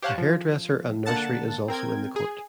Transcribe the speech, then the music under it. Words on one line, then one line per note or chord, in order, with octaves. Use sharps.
A hairdresser and nursery is also in the court.
G4 C5 C#5 F5 F#5 A5
F3
D3 A#3 F#5 A5 A6
C4 A#4 G5 G#6
G#4